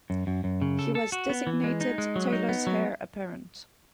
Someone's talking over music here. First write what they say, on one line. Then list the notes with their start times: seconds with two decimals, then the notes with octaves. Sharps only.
He was designated Taylor's heir-apparent.
0.10 F#2
0.27 F#2
0.44 F#2
0.62 C#3
0.79 A4
0.95 A4
1.12 F#4
1.30 B3
1.47 E3
1.64 G#3
1.81 D#4
1.98 G#3
2.16 F#3
2.33 D#4
2.49 B3
2.67 F#3